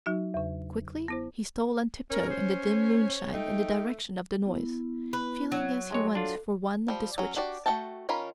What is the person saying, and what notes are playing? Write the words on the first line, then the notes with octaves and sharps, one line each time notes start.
Quickly he stole on tiptoe in the dim moonshine in the direction of the noise, feeling as he went for one of the switches.
F#3 D#4 F#4
E2 C#3
B3 E4 C5
C#4 A#4 C#5
C5
A3 D#4 G5
B3 E4
B4
F#3
G2 G#3 C#5 C6
D4 F4 A4
F3 G3
F#3 C#4
D4 F#4 G4 D5
A3 A#3 F#4 G5 A5
D#3 C#4 F4 A#4 B5